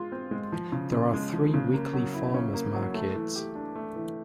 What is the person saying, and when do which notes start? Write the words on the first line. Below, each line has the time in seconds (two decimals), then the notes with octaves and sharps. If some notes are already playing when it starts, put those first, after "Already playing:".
There are three weekly farmers' markets.
Already playing: G#3 F4 G#4
0.12 C4
0.31 G#3
0.52 F3
0.72 C#3
0.92 C#3
1.13 G#3
1.33 F3
1.54 C#3
1.74 A#3
1.93 F#3
2.14 E4
2.34 C#4
2.54 A#3
2.74 F#3
2.94 A3
3.15 E3
3.36 G4
3.55 D4
3.75 A3
3.96 E3